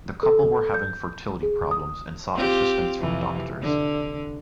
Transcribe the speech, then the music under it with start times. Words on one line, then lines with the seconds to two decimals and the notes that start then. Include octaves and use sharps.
The couple were having fertility problems and sought assistance from doctors.
0.23 A4
0.74 G6
1.43 G#4
1.71 D#6
2.35 C4 F4 G4
2.99 F2 C3 E3
3.62 D3